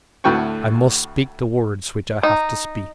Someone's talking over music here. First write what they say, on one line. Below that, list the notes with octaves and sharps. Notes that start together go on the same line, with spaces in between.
I must speak the words which I have to speak.
D2 A2 F#4 G5 C#6
D#4